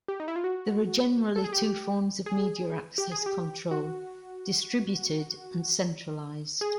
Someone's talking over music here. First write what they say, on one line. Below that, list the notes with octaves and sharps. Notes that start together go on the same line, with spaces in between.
There are generally two forms of media access control: distributed and centralized.
G4
D#4
E4
F4
F#4
A4
G#4
G4
G#4
G4
G#4
G4
F#4
G#4